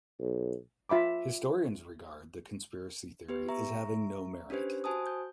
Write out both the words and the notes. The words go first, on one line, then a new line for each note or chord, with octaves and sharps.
Historians regard the conspiracy theory as having no merit.
B1
F4 E5 B5 D6
B3 G4 B4
E5 A#5 C#6
C#4 D4 G4 B4 C5
F#4 C5 G#5 A5 D#6
G6